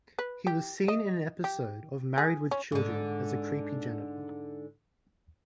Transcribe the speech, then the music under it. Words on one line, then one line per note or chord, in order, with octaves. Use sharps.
He was seen in an episode of "Married... with Children" as a creepy janitor.
B4
G4
D#5
G4
G#4
C#4
G#2 D3